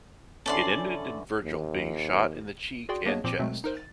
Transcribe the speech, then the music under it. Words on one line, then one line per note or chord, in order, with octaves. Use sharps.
It ended in Virgil being shot in the cheek and chest.
D3 E3 C#4 A4 D5 C6
D#2
F#4 G#4 D5 G5 C6
A#3 B3 D4 G#4 C#5 D#5
A#2 F3 C4 D6
B2 F#3 G#3 A3 C4
D#4 A#4 C5
A6